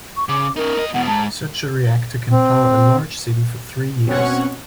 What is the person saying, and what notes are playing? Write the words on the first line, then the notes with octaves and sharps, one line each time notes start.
Such a reactor can power a large city for three years.
C#6
C#3 D6
C#4 D#4 A#4
A#3 D#5
E2 B2 F#5
G#2 A5
C4
B2 C4 C#4 C#5 F#5 C#6